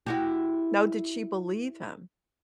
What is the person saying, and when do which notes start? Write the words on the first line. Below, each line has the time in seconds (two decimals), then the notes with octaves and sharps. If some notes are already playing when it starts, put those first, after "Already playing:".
No. Did she believe him?
0.06 E4 F#4 G4